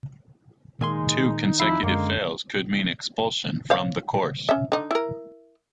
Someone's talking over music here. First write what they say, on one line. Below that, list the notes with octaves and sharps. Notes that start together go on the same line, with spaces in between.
Two consecutive fails could mean expulsion from the course.
A#2 D#3 G#3 D#4 G#5 C6
F2 F3 E4 F5
F#2 D3 G#3 A#3
C5 C#5 F5
C#4 E5
D3 D#4
E4 A#4